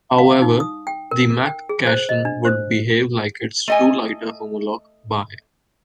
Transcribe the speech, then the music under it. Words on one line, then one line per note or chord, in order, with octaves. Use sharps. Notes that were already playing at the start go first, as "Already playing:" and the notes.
However, the Mc cation would behave like its true lighter homolog Bi.
F5
D#4
D#6
G5
A#4
A#4
G5
G#4
C5
D#5
D4
C5
A3 D#5 G#5